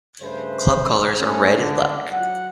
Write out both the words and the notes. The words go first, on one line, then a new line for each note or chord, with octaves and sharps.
Club colours are red and black.
G2 C#3 A3 B4 C5
A3 C#4
C#2 D3 D4
F#3 F#5